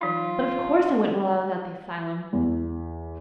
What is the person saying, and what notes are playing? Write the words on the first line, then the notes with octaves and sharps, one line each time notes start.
But of course I went while I was at the asylum.
E3 F#3 D#4 F4
E2